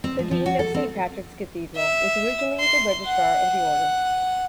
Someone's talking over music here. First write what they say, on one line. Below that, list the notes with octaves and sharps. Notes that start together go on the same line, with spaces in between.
The Dean of Saint Patrick's Cathedral was originally the Registrar of the Order.
C4
F3
F3
F#4
A4
C4
E5
C6
F#5